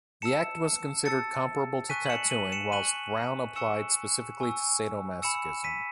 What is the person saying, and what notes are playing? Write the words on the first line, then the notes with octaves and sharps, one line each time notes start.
The act was considered comparable to tattooing, whilst "Brown" applied specifically to sadomasochism.
A5 E6 C#7 E7
A5 E6 A6 C#7
G#5 C#6 F#6 B6 D#7
F#7
C#7 E7
D#7 F#7
C#7 E7
G#5 C#6 F#6 D#7 F#7
G#5 C#6 E6 C#7 E7
G#5 C#6 E6
G#5 B5 E6 C#7 E7
B6 D#7